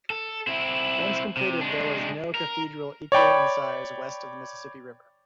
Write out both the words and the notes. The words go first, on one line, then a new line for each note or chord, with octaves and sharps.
Once completed, there was no cathedral equal in size west of the Mississippi River.
A4
C4 E4
C3
G#3 D4
A#4
C#5 D5 G5 B5